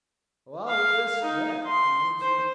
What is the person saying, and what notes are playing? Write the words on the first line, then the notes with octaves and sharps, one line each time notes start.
"I'll risk that," he answered.
F5
D#4
C6
C5